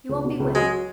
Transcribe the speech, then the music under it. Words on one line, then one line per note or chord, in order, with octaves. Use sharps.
You won't be whipped.
C#2
B2
C#2
F#3 G#3